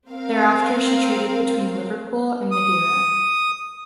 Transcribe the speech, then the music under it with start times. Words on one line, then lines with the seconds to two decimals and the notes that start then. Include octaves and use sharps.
Thereafter she traded between Liverpool and Madeira.
0.10 C4 A#4 F5
2.51 D#6